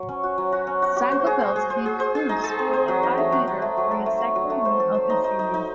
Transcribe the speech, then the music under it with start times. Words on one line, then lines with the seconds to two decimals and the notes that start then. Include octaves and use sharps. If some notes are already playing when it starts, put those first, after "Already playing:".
Stan Coveleski cruised with a five-hitter for his second win of the Series.
Already playing: F#3
0.09 C#4
0.23 F#4
0.38 F#3
0.52 F#4
0.67 C#4
0.82 F#4
0.96 F#4
1.12 C5
1.27 G#4
1.41 C5
1.56 G#4
1.70 C5
1.86 G#4
2.00 C5
2.15 G#4
2.29 D#4
2.44 G#4
2.59 C4
2.73 C5
2.88 F#3
3.03 D#4
3.18 A3
3.32 F#3
3.47 F#3
3.62 A3
3.77 F#3
3.91 A4
4.06 A3
4.21 A3
4.36 F#3
4.50 A3
4.65 C5
4.80 A4
4.94 C5
5.10 D#4
5.24 D#4
5.39 D#4
5.54 D#4